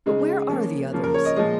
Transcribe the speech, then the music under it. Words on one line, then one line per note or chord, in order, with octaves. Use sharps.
But where are the others?
C#3 G#3 D#4
F3 A#3 C#4
C#3 F3 A#3
A#4
C#5
D#5
A#2 F3 G#3 D#5